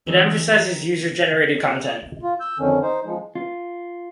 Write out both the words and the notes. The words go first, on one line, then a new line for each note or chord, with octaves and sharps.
It emphasizes user-generated content.
D3 E3 F#3 G#3 C4 C#5
G4 A#4
F4
E6 G6
F2 D3 D#3 C#4
D#4 C5
F3 G#3
F4